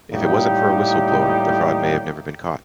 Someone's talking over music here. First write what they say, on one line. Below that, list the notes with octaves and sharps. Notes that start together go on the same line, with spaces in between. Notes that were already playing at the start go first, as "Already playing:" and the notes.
If it wasn't for a whistle blower, the fraud may have never been caught.
A2 G3 A#3 D#4 G4